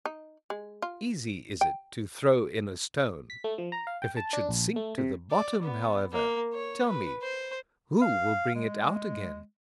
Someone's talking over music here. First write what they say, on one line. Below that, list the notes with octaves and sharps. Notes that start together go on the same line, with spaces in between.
Easy is it to throw in a stone: if it should sink to the bottom, however, tell me, who will bring it out again?
D#4
G#3
F4
G5
B6
A3
F3
A#5
F5
G5
A5
D4
A#1
A3
C3
D5
B3
A#3
C#5
B4
C5
F5
G#3